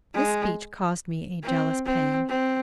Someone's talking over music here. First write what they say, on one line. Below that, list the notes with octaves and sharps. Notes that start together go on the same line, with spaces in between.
This speech caused me a jealous pang.
G#3
C4
C4
C4